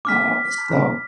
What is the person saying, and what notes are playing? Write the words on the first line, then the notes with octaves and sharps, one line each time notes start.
uh, so
D6 F6 B6